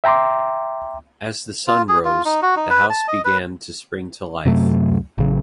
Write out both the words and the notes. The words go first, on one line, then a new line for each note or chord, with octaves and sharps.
As the sun rose, the house began to spring to life.
E5 G5 A#5 C6 D6
F4
G#4
F4
D#4
F#4
D#4
B4
A5
D#5
B4
F#2 C3 F#3 A3
A1 C#3 F#3